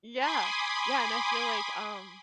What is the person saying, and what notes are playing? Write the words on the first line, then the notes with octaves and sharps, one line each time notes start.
Yeah, yeah, and I feel like, um,
G#5 B5 C6 D6 D#6 G#6